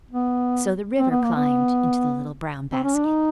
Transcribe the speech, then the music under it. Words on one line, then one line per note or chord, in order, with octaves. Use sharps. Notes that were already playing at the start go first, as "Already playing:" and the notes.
So the river climbed into the little brown basket.
B3
C4
B3
A#3
B3
C4
C#4
D4
D#4